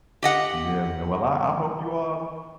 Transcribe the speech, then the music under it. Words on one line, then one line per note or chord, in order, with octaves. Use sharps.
Yeah, man. Well, I I hope you all
G4 D#5 F#5